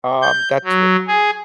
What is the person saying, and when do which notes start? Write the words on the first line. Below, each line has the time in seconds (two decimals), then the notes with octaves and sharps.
Um, that's the
0.22 G6
0.65 F#3
1.08 G#4